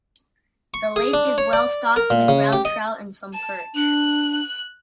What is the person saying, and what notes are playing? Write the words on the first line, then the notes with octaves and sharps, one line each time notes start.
The lake is well stocked with brown trout and some perch.
C#6
G#4
D4
C#5
D5
A#4
A#2
C#3
G4
D#5
A5
D4 F#6